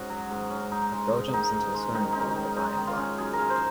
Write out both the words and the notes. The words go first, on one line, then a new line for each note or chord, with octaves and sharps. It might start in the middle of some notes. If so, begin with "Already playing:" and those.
A girl jumps into a swimming pool with a guy in black.
Already playing: G#2 C#4 F#4
F#3
G#2
C#4
G#2 D#4
G#3
G#2
D#3 D#4
G#2
G#3
D#3 D#4
C#4 D#4
D#3
G#3 D#4
D#3
F4
C#4
F#2 G#4
A#4
G#3
C5